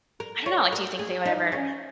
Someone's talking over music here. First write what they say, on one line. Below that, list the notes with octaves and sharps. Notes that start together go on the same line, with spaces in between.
I don't know, like, do you think they would ever,
A#4
C#5
A#4
G#4
D#4
C#4